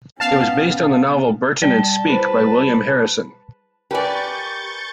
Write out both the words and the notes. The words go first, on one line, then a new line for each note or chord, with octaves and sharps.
It was based on the novel "Burton and Speke" by William Harrison.
B3 C#4 F5 A5
G3 D5 A5 G7
E4 G#4 B4 C5
G4 A#4 B4 D5 G#5 C#6 G6 A6